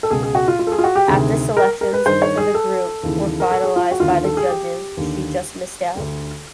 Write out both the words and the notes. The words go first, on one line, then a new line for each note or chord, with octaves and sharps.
After selections for the group were finalised by the judges, she just missed out.
A4
C#2 B2 G#4
G#4
F#4
F4
F4
A4
G#4
F4
F#4
G4
D2 C3 D#3 G#4
A#4
A#4
B4
G2 D#3 C5
C#5
G#4
A4
D#2 C#3 E3
A#4
A4
G#4
F4
F#4
D#2 D3 F4
F4
A4
G#4
G4
D#2 D3
D2 D3